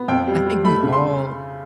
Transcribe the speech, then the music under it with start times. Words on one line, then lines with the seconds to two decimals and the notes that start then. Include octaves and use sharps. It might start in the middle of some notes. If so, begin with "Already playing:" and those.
I think we all
Already playing: B3
0.08 F2 G5
0.28 G3
0.46 G3
0.64 A3 B5
0.83 C#3
0.93 C6